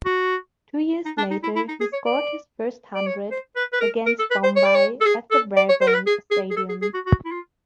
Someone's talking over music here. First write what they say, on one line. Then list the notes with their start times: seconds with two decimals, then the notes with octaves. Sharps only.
Two years later he scored his first hundred, against Bombay at the Brabourne Stadium.
0.06 F#4
1.06 D#4
1.18 D4
1.31 D#4
1.43 E4
1.56 E4
1.68 D#4
1.81 G#4
1.93 C#5
2.06 D5
2.95 D5
3.07 C#5
3.31 C5
3.56 B4
3.73 B4
3.81 A#4
4.06 A#4
4.19 A4
4.31 B4
4.44 C5
4.56 C#5
4.65 D5
4.75 C#5
5.01 A4
5.06 G#4
5.31 A4
5.57 D5
5.69 C#5
5.81 C5
5.87 A#4
5.94 B4
6.07 G#4
6.31 G#4
6.51 G#4
6.57 A4
6.69 G#4
6.82 G#4
6.94 F#4
7.06 F#4
7.25 E4
7.32 F4